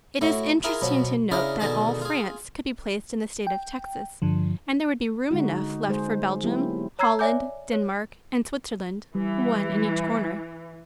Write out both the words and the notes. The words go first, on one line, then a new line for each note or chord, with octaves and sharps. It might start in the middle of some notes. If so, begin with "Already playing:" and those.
It is interesting to note that all France could be placed in the state of Texas and there would be room enough left for Belgium, Holland, Denmark and Switzerland, one in each corner.
A2 E4 F#4
E4 F4 G#4 A#4
B2 F3 F#3 B4
C#3 D4 E4 D#5 F5 A#5
B2 D3 D#3 G#4 D#5 A5
F4 G#4
G5
G2 D3 F3
D3 G#3 D#4 F#4
G#3 G#4 C5
F#3 A#3 B3 E4 G4
C#5 A#5 E6 G#6 C7
C#5 D5 E5 G#5 D6 G6
C#5
E3 G3